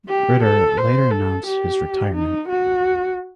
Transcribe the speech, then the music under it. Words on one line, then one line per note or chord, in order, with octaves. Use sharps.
Ritter later announced his retirement.
G4
A4
C5
A4
G4
D#4
F#4